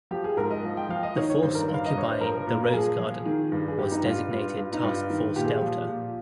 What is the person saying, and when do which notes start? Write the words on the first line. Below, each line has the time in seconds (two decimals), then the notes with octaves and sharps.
The force occupying "The Rose Garden" was designated Task Force Delta.
0.11 F3 G4
0.24 G#4
0.37 G#2 A#4
0.50 D#5
0.64 F3
0.77 G5
0.89 F3 F5
1.03 D#5
1.16 D#3 C#5
1.30 C#5
1.42 G2 C5
1.55 A#4
1.68 G2
1.74 F5
1.86 D#5
1.95 G2 C#5
2.09 C5
2.21 F3 A#4
2.47 A#2
2.64 A#4
2.74 F3 G#4
2.99 F3
3.26 D#3
3.52 G2
3.68 G#4
3.78 G2 G4
3.92 D#4
4.05 G2 F4
4.31 G2 F4
4.57 G2
4.73 D#4
4.83 G2 F4
5.10 D#3
5.36 A#2 G4
5.45 G#4
5.54 G4
5.62 F3
5.89 A#2